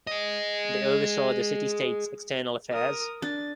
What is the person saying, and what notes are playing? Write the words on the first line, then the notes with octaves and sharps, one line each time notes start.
They oversaw the city state's external affairs.
G#4 D#5
A#4 D#6
D4 A6